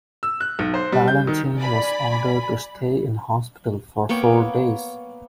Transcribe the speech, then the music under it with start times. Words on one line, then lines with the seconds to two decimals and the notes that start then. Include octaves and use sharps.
Valentine was ordered to stay in hospital for four days.
0.23 E6
0.41 F#6
0.59 B1
0.74 C5
0.92 G3
1.08 G6
1.27 D#3
1.57 D5 G#5 B5
4.09 A#3 B3 C#5 G5